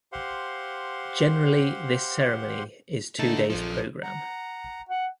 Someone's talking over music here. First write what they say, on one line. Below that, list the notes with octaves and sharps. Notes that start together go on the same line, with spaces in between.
Generally this ceremony is two days programme.
G4 C5 F5 F#5 C6
D3 A3 D#4 A5
A#1 F3 A4 C5
F#5 A#5
F#5